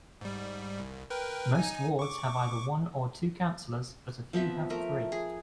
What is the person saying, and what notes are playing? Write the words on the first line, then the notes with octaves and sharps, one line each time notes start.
Most wards have either one or two councilors, but a few have three.
G#2 G3
C2
A#4 B4 G5
D#4 G#5
C#6 D6
F3 B3 C4 E5
A3 A#4
G#4